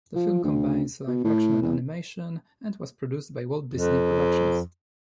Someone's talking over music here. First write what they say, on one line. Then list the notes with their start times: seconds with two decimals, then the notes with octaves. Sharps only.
The film combines live-action and animation, and was produced by Walt Disney Productions.
0.16 F3
0.44 D2
1.07 B2
1.24 A2
1.62 E2
3.74 F2